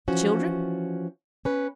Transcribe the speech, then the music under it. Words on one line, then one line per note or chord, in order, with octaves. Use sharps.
The children?
E3 F3 C#4 F#4
C#4 B4